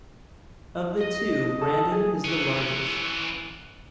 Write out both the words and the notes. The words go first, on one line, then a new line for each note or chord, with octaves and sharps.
Of the two, Brandon is the largest.
D#5
A4
G#4
E3 C#4